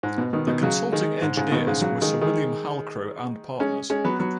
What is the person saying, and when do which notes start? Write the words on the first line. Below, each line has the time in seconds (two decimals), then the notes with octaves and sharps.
The consulting engineers were Sir William Halcrow and Partners.
0.03 G#2
0.18 B2
0.33 B2 D#3
0.48 B2 D#3
0.63 C#3 F#3
0.92 D#3 G#3
1.22 G#2
1.37 G#2 C#3
1.51 B2 D#3
1.67 G#2 C#3
1.81 C#3 F#3
2.02 D#3 G#3
2.21 D#3 G#3
3.60 G#3 C#4
3.90 G#3 C#4
4.05 F#3 B3
4.19 F#3 B3